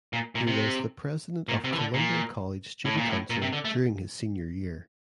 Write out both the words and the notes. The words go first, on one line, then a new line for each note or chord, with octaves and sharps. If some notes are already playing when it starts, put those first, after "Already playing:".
He was the president of Columbia College Student Council during his senior year.
A#2
A#2
C3
A#2
C3
E3
D3
A#2
A2
A#2
A2
A#2
C3
D3
A3